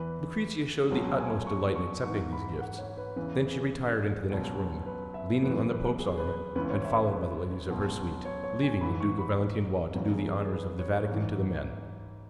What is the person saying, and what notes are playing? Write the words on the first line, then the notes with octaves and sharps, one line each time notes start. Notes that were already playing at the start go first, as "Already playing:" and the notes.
Lucrezia showed the utmost delight in accepting these gifts; then she retired into the next room, leaning on the pope's arm, and followed by the ladies of her suite, leaving the Duke of Valentinois to do the honours of the Vatican to the men.
Already playing: E2 E3 B4
C#2 B2 F#3
G#5
C#6
C#6
G#2 E3 C#6
B5
F#5
C#5
B4
E2 C#3 E3 B4
G#4
C#2 B2 F#3
B4
E5
F#2 E3 B4
B4
G#4
B4
C#2 C#3 E3 B4
C#5
E5
B4
C#2 B2 F#3
C#5
C#5
G#5
G#2 E3 B5
C#6
B5
E2 C#3 F#3 B4
G#4
G#4
B4
C#5
G#2 E3